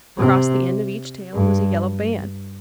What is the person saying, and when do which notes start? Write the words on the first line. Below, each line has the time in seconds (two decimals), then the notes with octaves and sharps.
Across the end of each tail was a yellow band.
0.17 C3
1.33 G2